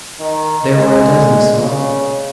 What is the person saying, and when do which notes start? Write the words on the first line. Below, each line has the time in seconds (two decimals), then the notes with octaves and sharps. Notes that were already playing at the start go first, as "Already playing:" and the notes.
There were a dozen assaults.
0.20 D#3
0.71 G#3
1.61 C#3